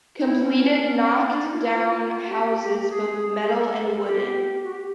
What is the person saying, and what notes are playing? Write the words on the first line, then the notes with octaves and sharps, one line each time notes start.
Completed knocked down houses both metal and wooden.
D#4
E4
C#4
C#4
D4
D4
D#4
F4
E4
F4
F#4
G4
G#4
G#4
A4
G4
F#4
G4